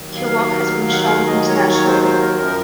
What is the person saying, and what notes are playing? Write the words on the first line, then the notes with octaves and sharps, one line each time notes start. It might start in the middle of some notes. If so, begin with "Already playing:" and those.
Her work has been shown internationally.
Already playing: D#2 D#3 F#3
F5
F#5
F5
D#5
C#5
C#5
C5
C5
A#4
F#2 F3 A#4